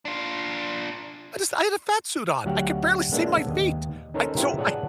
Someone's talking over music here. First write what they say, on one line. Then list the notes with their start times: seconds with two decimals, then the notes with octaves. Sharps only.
I just I had a fat suit on, I could barely see my feet. I so I
0.05 D4 F4
2.45 D2 F#3 F#4 G4 F5 F#5
3.12 G#3 A#3 B3 D4 C#5 E5
3.47 D#2 D#5
4.14 C#4 D#4 A4 A#4 C5 C#5
4.35 B3 E4 F4 G4 A#4 C5
4.58 G#4 C#5 D5 F#5 A5